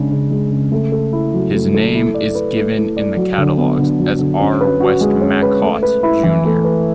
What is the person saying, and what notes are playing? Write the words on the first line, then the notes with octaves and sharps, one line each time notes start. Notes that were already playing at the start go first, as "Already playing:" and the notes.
His name is given in the catalogues as R. Westmacott, Junr.
Already playing: C#3 G#3 D4
C#3
G#3
C#3
A3
A4
E4
F#3
A3
A4
E4
D5
B4
A3
E4
D5
F#3
D3
B3
D3
F#3
D3
C#4
B4
F#4
G#3
C#4
B4
A3
B4
E4
E3
A3
B4